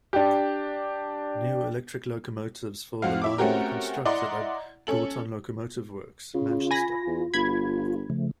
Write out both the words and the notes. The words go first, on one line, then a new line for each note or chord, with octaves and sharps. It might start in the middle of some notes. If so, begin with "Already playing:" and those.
New electric locomotives for the line were constructed at Gorton locomotive works, Manchester.
D4 G4
F2 C4 F#4 F5
E4 E5 D6
A3 C4 C#4 F#4 G4 A#4
E4 D5 D#5 F#5 A#5 C6
C#4 A4 F#7
C#3 F4
G#5 B5 A#6
E2
G1 B5 G#6
C#3 F3 A3